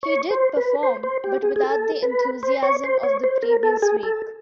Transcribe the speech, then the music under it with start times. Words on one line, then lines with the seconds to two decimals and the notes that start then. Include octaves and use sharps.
He did perform, but without the enthusiasm of the previous week.
0.03 C#5
0.31 C5
0.57 B4
0.83 C5
1.03 C5
1.24 G4
1.43 G#4
1.56 G#4
1.63 A4
2.03 B4
2.43 C5
2.62 C#5
2.84 C5
3.03 C#5
3.24 C5
3.43 A#4
3.63 A4
3.82 G#4
4.03 A4